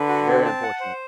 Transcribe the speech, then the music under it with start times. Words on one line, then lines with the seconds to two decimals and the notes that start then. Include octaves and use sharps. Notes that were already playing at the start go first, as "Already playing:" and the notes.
Very unfortunate.
Already playing: D3 B4
0.09 F#4
0.27 C4
0.45 A5
0.63 F#5
0.80 C5